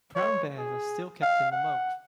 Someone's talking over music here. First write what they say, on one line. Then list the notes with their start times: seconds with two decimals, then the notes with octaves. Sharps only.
Brown bears are still kept in the moat.
0.16 C#5
0.58 G#4
1.22 F5
1.52 F#5